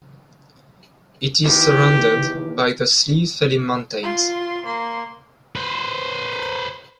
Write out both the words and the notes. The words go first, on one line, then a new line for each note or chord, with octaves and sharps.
It is surrounded by the Slieve Felim Mountains.
E2 D#3 G4
F4 C6
A#3 C6
B4 C5